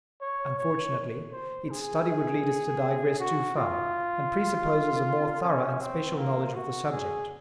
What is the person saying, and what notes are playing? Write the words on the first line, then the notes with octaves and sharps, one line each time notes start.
Unfortunately its study would lead us to digress too far, and presupposes a more thorough and special knowledge of the subject.
C#5
C#5
C5
G#4
F#4
F4
C#4
C4
A#3
F#4
G#4